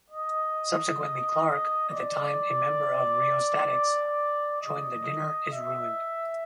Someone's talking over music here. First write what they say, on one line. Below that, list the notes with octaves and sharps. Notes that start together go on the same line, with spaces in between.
Subsequently Clark, at the time a member of Rheostatics, joined The Dinner is Ruined.
D#5
D5
D#5
E5